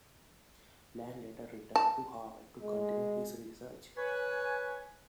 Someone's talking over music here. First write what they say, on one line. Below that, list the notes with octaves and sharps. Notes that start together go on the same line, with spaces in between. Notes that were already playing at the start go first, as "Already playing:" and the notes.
Land later returned to Harvard to continue his research.
A5
G#3
B4 C#5 G#5